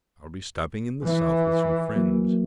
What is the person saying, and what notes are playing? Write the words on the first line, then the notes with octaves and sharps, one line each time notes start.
I'll be stopping in the south with some friends.
E3
F#3 A#3